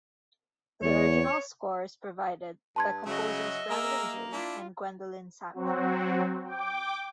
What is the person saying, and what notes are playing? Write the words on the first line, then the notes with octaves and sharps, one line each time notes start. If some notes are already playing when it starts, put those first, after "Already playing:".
The original score is provided by composers Brandon Jay and Gwendolyn Sanford.
E2 C#5
G2 A5 C6 G#6
C#3 F#3 F#4 G#4 D#5 E5
A#3 G#4 A#4 E6
D4 E4 F4
F#3 C4 F#4
G5 D6